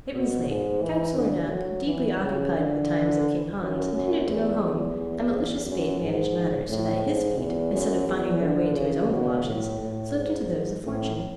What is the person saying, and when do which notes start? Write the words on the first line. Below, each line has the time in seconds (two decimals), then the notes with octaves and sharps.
It was late; Councillor Knap, deeply occupied with the times of King Hans, intended to go home, and malicious Fate managed matters so that his feet, instead of finding their way to his own galoshes, slipped into those of Fortune.
0.14 B2
0.48 G#2
0.82 E3
1.16 D3
1.51 F#3
1.85 E3
2.21 C#3
2.54 D3
3.59 F#2
3.93 F#2
4.27 E2
4.62 E2
4.96 E2
5.31 E2
5.65 F#2
6.00 G#2
6.69 A2
7.04 G#2
7.38 E2
7.72 F#2
8.07 E2
8.42 D3
8.75 C#3
9.10 B2
9.45 A2
9.80 A2
10.14 G#2
10.83 A2